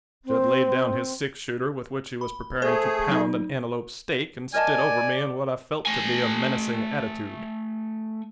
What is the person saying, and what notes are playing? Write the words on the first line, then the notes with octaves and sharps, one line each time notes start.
Jud laid down his six-shooter, with which he was preparing to pound an antelope steak, and stood over me in what I felt to be a menacing attitude.
C4
B5
A3 G#4 C5
F#3 D#4
A#4 D5 D#5 G#5 A5
A3 G#5